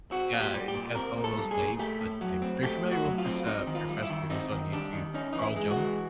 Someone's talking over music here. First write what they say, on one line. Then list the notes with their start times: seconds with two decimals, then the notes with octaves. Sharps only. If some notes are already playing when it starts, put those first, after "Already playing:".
Yeah, and he cast all those waves and such things. Are you familiar with this, uh, professor? He's on YouTube, Carl Jung?
0.11 C4 F#4
0.33 A#2
0.40 G4
0.54 G3
0.68 G4
0.74 A#2
0.95 C4 A#4
1.17 A#2
1.24 A4
1.38 G3
1.51 G#4
1.59 A#2
1.79 A3 G4
2.01 A2
2.21 F#3
2.42 C4
2.63 A3 G4
2.84 A2
2.91 F#4
3.05 F#3
3.18 F4
3.26 C4
3.47 C4 D#4
3.67 D#3
3.75 F4
3.89 G3
4.03 E4
4.10 D#3
4.30 C4 D#4
4.52 D#3
4.73 G3 D4
4.93 D#3
5.14 C#4 D#4
5.33 E3 D#4
5.42 E4
5.56 G#3
5.71 F#4
5.77 E3